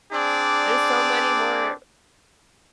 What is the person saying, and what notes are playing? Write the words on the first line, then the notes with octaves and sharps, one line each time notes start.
there's so many more
C4 D4 G#4 D5